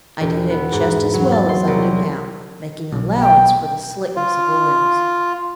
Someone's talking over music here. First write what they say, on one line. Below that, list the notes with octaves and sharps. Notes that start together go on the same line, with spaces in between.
I did him just as well as I knew how, making allowance for the slickness of oils.
E1
B3
G#2
F#3
A6
C6
C2
B1
G5
F4